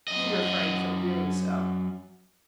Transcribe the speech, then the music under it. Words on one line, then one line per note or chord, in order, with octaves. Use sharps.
He refrained from doing so.
F#2 D#5